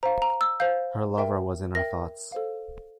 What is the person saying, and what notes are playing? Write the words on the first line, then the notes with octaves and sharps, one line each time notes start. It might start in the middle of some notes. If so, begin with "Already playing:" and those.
Her lover was in her thoughts.
C5 F5 A#5
A#5
E6
C5 F5 G6
A#4 E5 G5
A#4 E5 G5 A#6
A4 C5 F5